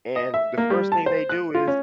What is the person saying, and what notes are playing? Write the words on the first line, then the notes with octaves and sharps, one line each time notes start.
and the first thing they do is
D#5
E5
A#3
G3
A5
C5
F#6
F4
C#4